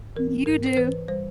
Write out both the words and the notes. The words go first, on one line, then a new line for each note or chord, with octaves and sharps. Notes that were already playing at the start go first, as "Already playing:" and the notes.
You do.
Already playing: G#2
E3 A#4
G#2 A#4
C5
E3 B4
G3 C5